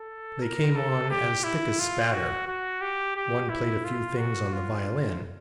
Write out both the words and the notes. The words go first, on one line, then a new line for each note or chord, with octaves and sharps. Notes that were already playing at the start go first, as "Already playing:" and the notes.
They came on as thick as spatter. One played a few things on the violin.
Already playing: A4
A#4
A4
G4
E4
F4
F#4
F#4
G4
G4
E4
F4
F#4
F4